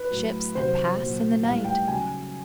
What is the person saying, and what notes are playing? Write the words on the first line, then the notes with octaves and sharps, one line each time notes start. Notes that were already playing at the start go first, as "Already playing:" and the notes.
"Ships that pass in the night!"
Already playing: B4
A2 F#3
C3 D#3 F#3 C5
A#2 F#3
A2 E3 G3 F5
G5
C#3 F#3 G#5